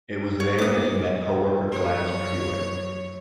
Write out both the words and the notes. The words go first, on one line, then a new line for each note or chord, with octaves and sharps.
It was there that he met co-worker Gladys Prewett.
C#5
A#3 B3 D6 D#6
F#2 C#5